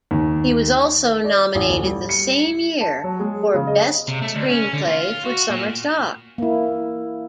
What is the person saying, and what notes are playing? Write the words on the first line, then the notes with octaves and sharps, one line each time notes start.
He was also nominated the same year for Best Screenplay for Summer Stock.
D#2
D5
A1
D2
G3
C#7
A5
F#3
G#3
C#3
D#5
C3
A3
D2
C#4
D3
F4
F#4
A#2
A#3 E4